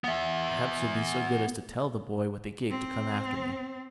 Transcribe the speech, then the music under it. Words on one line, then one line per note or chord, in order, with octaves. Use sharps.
Perhaps you'll be so good as to tell the boy with the gig to come after me?
B3 E5
C4